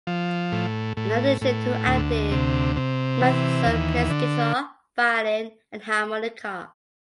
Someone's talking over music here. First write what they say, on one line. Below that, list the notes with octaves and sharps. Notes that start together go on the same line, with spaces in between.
In addition to acting, Matheson plays guitar, violin and harmonica.
F3
A2
A2
A2
D2
C3
C3
E3
D#2
D3